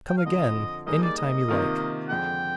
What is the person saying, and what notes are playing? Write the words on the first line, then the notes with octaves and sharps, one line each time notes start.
"Come again any time you like."
G5
F5
F2 D3 F3 D#5
G3 A#3 D#4 G#4 D#5
D5
D#5
C3 D#3 A#3 F4
F2 D3 G#3 G5